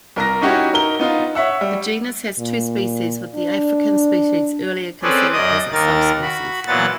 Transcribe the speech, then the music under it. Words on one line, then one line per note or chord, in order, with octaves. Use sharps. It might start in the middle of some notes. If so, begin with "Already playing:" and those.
The genus has two species with the African species earlier considered as a subspecies.
C2 A#4 A#5 A#6
C#4 D#4 E4 F#4 G4 C#5
D#4 A#4 G7
B3 D#4 F4
C#5 E5 F#5 E6
G3
A#2
D4
C4 C#4 G#4 A4 B4 D5
F#2 D5 D#5 D#6
D#2 D#3 A#4 A6
F#4 B5
A#2 E3 F#3 B3 F#5 A6